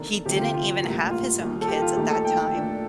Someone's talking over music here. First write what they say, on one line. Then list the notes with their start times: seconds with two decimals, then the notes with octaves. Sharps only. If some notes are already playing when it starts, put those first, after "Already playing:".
He didn't even have his own kids at that time.
Already playing: C3 D#3 A#3 D4 A4
0.25 D2 C3 F3 A3 G4
0.36 G4
0.40 F4
0.54 F4
0.83 A#1 A2 G3 A#3
1.11 F4
1.40 D#2 D#3 G3
1.61 A4
1.68 G4
1.82 F4
1.96 D#2 D#3 A3 D#4 G4
2.10 A4
2.25 G5
2.53 A#2 A3 D4